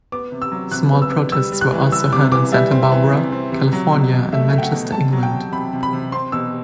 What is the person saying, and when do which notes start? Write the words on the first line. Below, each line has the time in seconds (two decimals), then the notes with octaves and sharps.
Small protests were also held in Santa Barbara, California, and Manchester, England.
0.12 B3 D6
0.32 C3
0.42 E6
0.52 F#3
0.71 C3 F#6
0.92 B3
1.02 E6
1.12 B3
1.32 G3 E6
1.52 G3
1.61 F#6
1.72 E3
1.92 G3 E6
2.12 C3 D6
2.32 E3 D6
2.52 G3 E5
2.71 C4
2.83 E5
2.92 E3
3.13 C3
3.32 C4
3.52 C3
3.73 F#3
3.92 B2
4.13 B2
4.32 A3 E5
4.52 A3
4.58 G5
4.62 F#5
4.72 B2
4.92 C3 A5
5.13 F#3
5.23 G5
5.32 F#3
5.52 C3 B5
5.73 C3
5.83 B5
5.93 C3
6.12 C4 C6
6.32 B2 E6